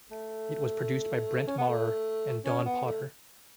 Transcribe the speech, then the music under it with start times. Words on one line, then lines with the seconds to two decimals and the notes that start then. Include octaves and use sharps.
It was produced by Brent Maher and Don Potter.
0.11 A3
1.47 C#4
1.58 B3
1.68 A3
2.45 C#4
2.66 B3
2.85 A3